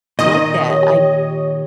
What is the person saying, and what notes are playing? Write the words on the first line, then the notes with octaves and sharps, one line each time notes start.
like that. I
A#2 D#3 D#5
G4 C#5